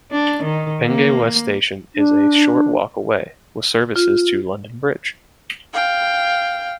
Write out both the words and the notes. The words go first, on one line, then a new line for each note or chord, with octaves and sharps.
Penge West station is a short walk away, with services to London Bridge.
D4
D#3
A#3
D4
F4
F5 G5